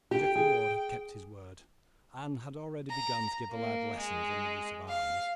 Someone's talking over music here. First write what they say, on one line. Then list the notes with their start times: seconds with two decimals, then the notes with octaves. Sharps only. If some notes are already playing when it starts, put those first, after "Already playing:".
Geoffrey Ward had kept his word, and had already begun to give the lad lessons in the use of arms.
0.11 G4 G5
0.36 G#4
2.90 A#5
3.51 A#3
3.97 G#3
4.89 F5